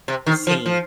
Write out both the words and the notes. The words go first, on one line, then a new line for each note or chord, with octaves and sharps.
the same
C3
D#3
F3
F3